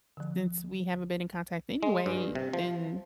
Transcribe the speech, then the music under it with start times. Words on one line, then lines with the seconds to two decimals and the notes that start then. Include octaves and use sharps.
since we haven't been in contact anyway, then,
0.17 D3 F3
1.83 G#3
2.06 G2
2.35 C3
2.53 F3